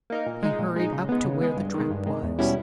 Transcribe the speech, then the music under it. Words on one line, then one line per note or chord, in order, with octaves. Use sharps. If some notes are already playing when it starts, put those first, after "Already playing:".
He hurried up to where the trap was.
A#3 D#4 A#4
A#2
G#3 D#4
A#2
G#3 D#4
C#3
G#3 B3
C#3
G#3 B3
G2
D#3 G#3
G2
D#3 G#3
E2
B2 G3 C#4 E4